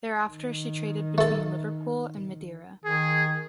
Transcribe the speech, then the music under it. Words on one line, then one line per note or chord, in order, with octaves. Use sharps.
Thereafter she traded between Liverpool and Madeira.
D#3
A3 A4
D#3 G#4